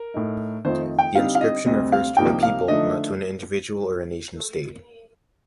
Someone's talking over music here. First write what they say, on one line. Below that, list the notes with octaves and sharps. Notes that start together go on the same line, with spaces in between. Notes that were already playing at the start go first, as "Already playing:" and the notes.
The inscription refers to a people, not to an individual or a nation-state.
Already playing: A#4
A2 A3 D#4
F2 D#3 A3 C4 F4 C5
G5
D3 G3 C4 D#4 F5
F5
D#5
D2 C3 G3 C4 D#5
F5
C2 C3 F3 A#3 D#4 G5
F5
D3 F3 A3 D#4 D#5